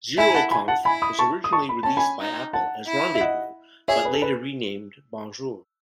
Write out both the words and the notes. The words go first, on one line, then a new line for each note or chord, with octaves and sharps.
Zeroconf was originally released by Apple as Rendezvous, but later renamed Bonjour.
E4 E5 G#5
G#5
F#5 A5
G#5 B5
F#5 A5
E4 G#5 B5
B5 D#6
A5 C#6
D#6
A5 C#6
B5
C#4 A5
G#5 B5
D#4
F#5 A5
E4
E5
D#5 F#5
G#4 C#5 E5
B4
A4
B4